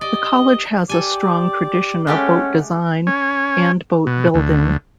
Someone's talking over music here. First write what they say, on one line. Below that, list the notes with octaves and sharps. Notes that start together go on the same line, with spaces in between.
The College has a strong tradition of boat design and boat building.
G4 D5 D#5
G4 A4 D5 G#5
G#3 A3 C#4 G4 F#5
C#4
B2
D2